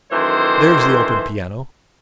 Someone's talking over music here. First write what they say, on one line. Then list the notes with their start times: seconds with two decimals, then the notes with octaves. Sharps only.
There's the open piano.
0.12 F#2 D#3 E3 A3 C5